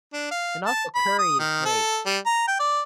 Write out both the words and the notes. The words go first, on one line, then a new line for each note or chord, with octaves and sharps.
and also, curry is great.
D4
F5
A5
B5
D#6
D#3
A4
G3
A#5
G5
D5